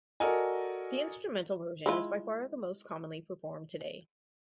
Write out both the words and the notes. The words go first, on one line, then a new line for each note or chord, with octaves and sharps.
The instrumental version is by far the most commonly performed today.
F#4 A4 A#4 D5 D#5 G#5
G#3 E4 F4